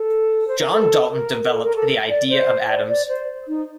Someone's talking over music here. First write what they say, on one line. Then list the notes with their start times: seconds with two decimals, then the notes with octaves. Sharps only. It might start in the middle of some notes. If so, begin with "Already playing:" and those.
John Dalton developed the idea of atoms.
Already playing: A4
0.48 C5
0.59 A#4
0.71 A4
1.11 A#4
1.50 A4
1.63 A#4
1.76 A4
2.10 D5
2.30 C5
2.69 D5
2.89 D5
3.09 C5
3.48 D#4